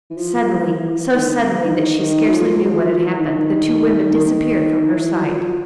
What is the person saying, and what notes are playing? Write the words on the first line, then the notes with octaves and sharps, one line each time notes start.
Suddenly, so suddenly that she scarcely knew what had happened, the two women disappeared from her sight.
E3
F3
E3
F3
E3
E3
D#3
D3
D#3
D#3
F#3
F3
F#3
F3
E3
D#3
D3
D#3
D3
D#3
E3
F#3
F3